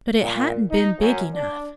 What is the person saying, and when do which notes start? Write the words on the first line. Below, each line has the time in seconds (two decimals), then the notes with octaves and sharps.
But it hadn't been big enough.
0.20 A#2
0.70 D#4
1.00 F#2
1.34 D4